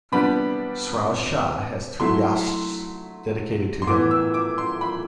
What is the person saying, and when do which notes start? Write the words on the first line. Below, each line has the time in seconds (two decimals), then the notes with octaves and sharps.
Sraosha has two yashts dedicated to him.
0.12 C3 G3 B3 D4 B5
2.00 F#3 A3 E4 C6
3.82 C6
3.87 A2 E3 B3 D6
4.11 E6
4.34 D6
4.58 C6
4.81 B5